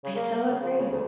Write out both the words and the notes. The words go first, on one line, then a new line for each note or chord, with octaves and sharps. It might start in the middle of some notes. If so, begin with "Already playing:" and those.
I so agree.
C#3
A#3
A#3
C#3
F3
C#3
D2